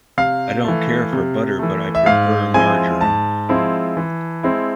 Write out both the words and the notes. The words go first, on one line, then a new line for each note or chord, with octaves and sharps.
I don’t care for butter; I prefer margarine.
C3 F5
E3 A3
C3
E3 A3
E5
G#2 F5
F3 G#3 C4 E4 G#5
G#2 A5
F3 G#3 C4 E4
E3
G#3 C4 E4